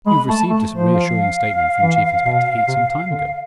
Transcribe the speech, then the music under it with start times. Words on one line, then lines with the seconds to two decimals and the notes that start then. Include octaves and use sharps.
You have received a reassuring statement from Chief Inspector Heat some time ago.
0.06 G#3 B5
0.29 A3 A5
0.50 A3
0.71 F3 C5
0.94 F5
1.81 E3
2.24 B2
2.68 C3
3.11 D3